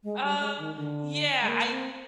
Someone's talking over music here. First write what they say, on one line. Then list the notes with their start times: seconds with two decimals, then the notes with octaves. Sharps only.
Um, yeah, I
0.04 G#3
0.22 G3
0.40 G#3
0.58 D#3
0.76 D3
1.41 G#3
1.48 A#3
1.67 A#3
1.72 C4